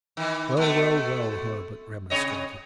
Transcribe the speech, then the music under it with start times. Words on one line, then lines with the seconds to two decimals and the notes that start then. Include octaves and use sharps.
"Well, well, well!" Herbert remonstrated.
0.17 D#3 E3
0.57 B2 A3
2.10 C3 C#5 D#5